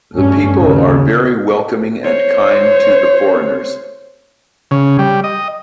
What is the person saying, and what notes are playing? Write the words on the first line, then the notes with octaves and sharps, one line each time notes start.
The people are very welcoming and kind to the foreigners.
G2 A3 C#4
D#2 C#3
C5 C#5
C#3
G3
D#5